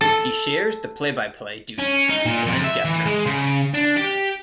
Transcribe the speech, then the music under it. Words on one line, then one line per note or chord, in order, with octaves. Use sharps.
He shares the play-by-play duties with Glenn Geffner.
A4
C#4
D#4
A#2
F2
E5
E3
G#3
C#3
D4
G4